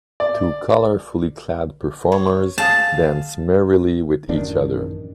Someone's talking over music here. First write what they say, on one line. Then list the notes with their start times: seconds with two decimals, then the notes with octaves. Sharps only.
Two colorfully clad performers dance merrily with each other.
0.20 D5
2.12 C#5
2.58 G#4 F5 A5 D#6
4.29 A1 F#2 D#3 D4